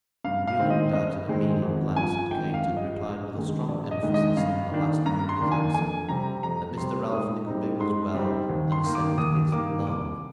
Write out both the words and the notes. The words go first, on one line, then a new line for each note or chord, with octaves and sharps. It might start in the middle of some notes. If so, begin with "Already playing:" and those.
Newman darted a meaning glance at Kate, and replied with a strong emphasis on the last word of his answer, that Mr Ralph Nickleby was well, and sent his LOVE.
G2 F5
F5
D#3 G#3 C4
D#5
G2 D#5
D#3 G#3 C4
G#1
G2 F3 G#5
G#1 G5
F5
G2 F3
D#5
A#1
G#2 D#3 G#3
A#1 D5
D#5
G#2 D#3 G#3
D#5
G2 F5
D#3 A#3 D4
G2 A#5
C6
D#3 A#3 D4
G#5
F2 G#5
C3 G3 C4 A#5
F2 A#5
C3 G3 C4 C6
G#2 D#6
G3 C4 D#4
G#2 C6
G3 C4 D#4
D#2
C6
D#3 A#3
D6
D#2 D#6
D#3 A#3 D6
C2 D6